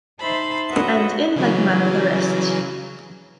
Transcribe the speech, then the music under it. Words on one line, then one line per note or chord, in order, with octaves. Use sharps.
And in like manner the rest.
D#4 C5 E5 A5 B5 C6
F#4 B4 C#5 D#5 E5 F#5
C#3 E3 F#3